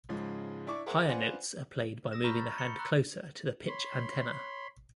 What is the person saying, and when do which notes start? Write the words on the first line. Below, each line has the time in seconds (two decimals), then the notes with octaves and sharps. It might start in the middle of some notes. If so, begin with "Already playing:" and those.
Higher notes are played by moving the hand closer to the pitch antenna.
0.09 G#2 C#3 F3 G#3
0.67 D4 E4 D5 C#6 D6
0.86 G#4 A#4 C5 E5 F#5
1.08 F4 B4 C5 D5 F#5 G#5
2.12 D#6 E6 A#6 E7
2.24 A#5 B5 C#6 F6 G6 B6
2.39 A6
2.58 B5 C#7 G7
2.79 A#5 C6 E6 F#6
3.68 C#5 B5 C6